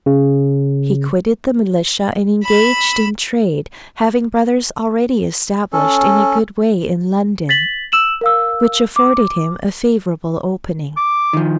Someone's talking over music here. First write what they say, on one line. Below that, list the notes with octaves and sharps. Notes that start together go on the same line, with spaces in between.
He quitted the militia and engaged in trade, having brothers already established in a good way in London, which afforded him a favourable opening.
C#3
B5 E6
C#4 A4
A6 B6 F#7
E6 E7 F#7
A#4 F5 E6
D6
D6
D#3 F3